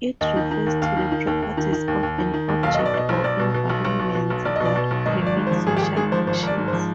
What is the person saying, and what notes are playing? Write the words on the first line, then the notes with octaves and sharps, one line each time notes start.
It refers to the properties of an object or environment that permit social actions.
D#2 D#5
D#3
D#3
D#2
D#2 F5
D#3
D#3
D#2
D#2
D#3
D#3
D#2
D#2
D#3
D#3
D#2
B1 F5
B2 D#5
D5
B2 D#5
B1 C5
B1 D5
B2
B2
B1
B1
B2
B2
B1
B1 D5
B2 D#5
D5
B2
B1
G#1 D#5
G#1
D5
G#2
C5
F3
G#1 G#4
G4
G#1 G#4
G#2 G#4
F3 C5
G#1 C5
G#1 D5
G#2
C5
F3